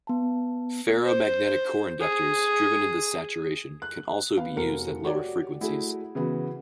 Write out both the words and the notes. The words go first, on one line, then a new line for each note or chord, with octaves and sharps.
Ferromagnetic core inductors driven into saturation can also be used at lower frequencies.
B3 A5
C5
G#4
F#6
B3 F5
F1 F#4 A#4 C#7
F#4 G4 C#5 D5
A3 E4 F#4 G#4
C#3 E3 B3 F#4